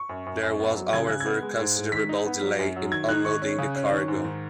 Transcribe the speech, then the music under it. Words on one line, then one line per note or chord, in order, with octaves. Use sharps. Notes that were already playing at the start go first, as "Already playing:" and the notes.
There was, however, considerable delay in unloading the cargo.
Already playing: C#6
F#2
F#2
F#2
B3
F#3
C#3 G#6
C#3 F#6
G#6
B3
G#3
G#2
G#3
D#3 B6
D#4
B3
F#3
F#2
F#3
D#3 G#6
D#4 F#6
D#3 C#6
C#4
C#3
C#4
D#3
G#2
D#3